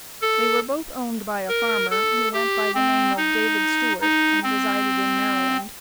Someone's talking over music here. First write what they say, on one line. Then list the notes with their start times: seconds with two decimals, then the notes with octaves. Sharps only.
They were both owned by a farmer, who went by the name of David Stewart, and resided in Maryland.
0.22 A4
1.48 A#4
1.90 A4
2.33 G4
2.75 C4
3.16 D#4
4.01 D#4
4.43 C4